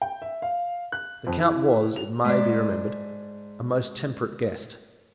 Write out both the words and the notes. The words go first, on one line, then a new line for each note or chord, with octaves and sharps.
The count was, it may be remembered, a most temperate guest.
G5
E5
F5
F#6
F2
E4
F7
G#2 D4